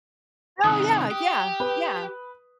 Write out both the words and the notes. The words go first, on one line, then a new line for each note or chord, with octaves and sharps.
Oh, yeah, yeah, yeah.
C3 D#3 D#6 F#6
G4
B4